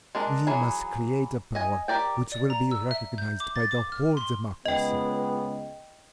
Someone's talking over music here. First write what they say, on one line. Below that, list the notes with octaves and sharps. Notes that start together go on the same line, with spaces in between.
We must create a power which will be recognised by the whole democracy.
G#3 D4 A#4
E3 F#3 G#4
D#5 G#5
G4 A#4 D5 G5
D5
A#5
E6
E5
G6
D6
A6
D6
F6
C6
C#2 B3 D#5 G5